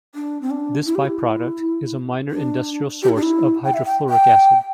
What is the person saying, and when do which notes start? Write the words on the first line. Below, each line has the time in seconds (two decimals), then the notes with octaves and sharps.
This byproduct is a minor industrial source of hydrofluoric acid.
0.15 D4
0.42 C4
0.51 D4
0.86 E4
0.95 G4
1.06 E4
2.31 D4
3.03 G4
3.09 E4
3.16 D4
3.22 E4
3.64 G5
3.74 E5
3.86 G5
4.09 G5